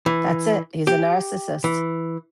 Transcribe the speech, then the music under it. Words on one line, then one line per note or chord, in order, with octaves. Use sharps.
That's it, he's a narcissist.
E3
G4
E3